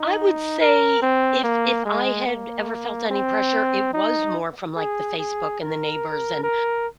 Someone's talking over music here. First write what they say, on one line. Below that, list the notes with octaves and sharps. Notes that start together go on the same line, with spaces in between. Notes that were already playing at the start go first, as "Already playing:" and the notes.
I would say, if if I had ever felt any pressure, it was more from, like, the Facebook and the neighbors and,
Already playing: D#4
A#4
C4
A#3
G#3
A#3
C4
D#4
G#4
G#4
A#4
A#4